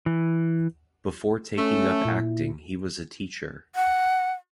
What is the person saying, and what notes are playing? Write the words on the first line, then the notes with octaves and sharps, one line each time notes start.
Before taking up acting he was a teacher.
E3
A3 C#4
A#2 E4
F#5